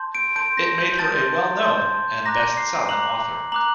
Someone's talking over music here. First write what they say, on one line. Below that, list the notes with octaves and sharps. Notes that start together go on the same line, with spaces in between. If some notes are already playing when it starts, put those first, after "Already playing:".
It made her a well-known and best-selling author.
Already playing: A5 C6 G6
D7
A5 C6 G6 D7
A#6
G6
A5 C6 G6 A6
A5 C6 G6
A#5 D6 F#6 A#6
C7
A#5 D6 F#6 F#7
A#5 D6 F#6 F#7